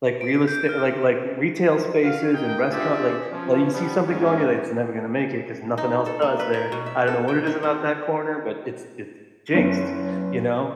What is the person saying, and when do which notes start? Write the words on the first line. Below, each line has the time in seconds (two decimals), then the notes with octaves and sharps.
Like, real estate like like, retail spaces and restaurant. Like like, you see something going, you're like, "It's never gonna make it 'cause nothing else does there. I don't know what it is about that corner, but it's it's jinxed," you know?
0.21 D7
0.47 G6
0.69 F6
2.03 F#4 F5
2.34 D#4 A#4 D#5 G5
2.70 D4 F4 G4 G#4 D5 E5
3.31 F3 C#4
3.73 F3 G3 B3
4.06 G#2 D#3 C#4
5.78 D#4
6.06 A4
6.22 A#3
6.39 B4
6.54 A#4
6.72 B2
6.86 E5
7.07 A4
7.28 G5
7.47 D#3
7.63 C4
9.54 F#1 B3 C#4